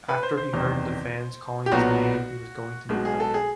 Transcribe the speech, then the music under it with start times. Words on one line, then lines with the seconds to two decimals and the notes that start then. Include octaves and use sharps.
After he heard the fans calling his name he was going to meet them.
0.09 B4
0.23 C5
0.37 C5
0.53 F#1 E2 C3 D#3
1.66 G4
1.72 B1 A#2 F#3 B3 F#4
2.89 B1 B2 G#3
3.05 G#4
3.20 A4
3.34 G#4